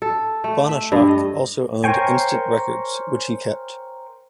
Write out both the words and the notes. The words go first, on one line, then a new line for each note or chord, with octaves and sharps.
Banashak also owned Instant Records, which he kept.
A4
A3
E5
G2
D#5
A#4 C5 C#5 G5 G#5